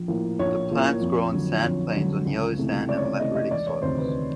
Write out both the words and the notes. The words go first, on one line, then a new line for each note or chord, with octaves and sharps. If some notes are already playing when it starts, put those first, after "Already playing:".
The plants grow on sandplains on yellow sand and lateritic soils.
Already playing: A#1
A2 F3 A#3
A#1 C#5
A2 F3 A#3
F2
D3 F#3
F2
D3 F#3
C#2
C3 E3 A3
C#2 D5
C#5
D5
C3 E3 A3 D#5
D#5
E1 D5
C#5
D2 C3 D#3 C5
B4